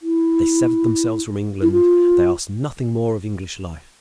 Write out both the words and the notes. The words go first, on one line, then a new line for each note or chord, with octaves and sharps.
They severed themselves from England; they asked nothing more of English life.
E4
E4
F4